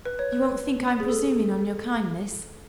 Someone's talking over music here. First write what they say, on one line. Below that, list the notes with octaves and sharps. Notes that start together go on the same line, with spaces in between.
"You won't think I am presuming on your kindness?"
B4
C#5
B4
G#4
A4